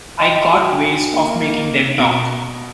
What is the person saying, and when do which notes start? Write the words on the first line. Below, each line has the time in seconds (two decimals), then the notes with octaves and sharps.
I got ways of making them talk.
0.20 D#5 G5 C6
0.54 F#4 G5 G#5
1.14 A#3
1.48 D#4
1.98 B2 D7